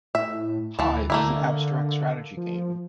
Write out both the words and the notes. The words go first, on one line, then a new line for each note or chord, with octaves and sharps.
"Hive" is an abstract strategy game.
A2 E5
D2 E3 A5
D3 A3 A#3 E4
F3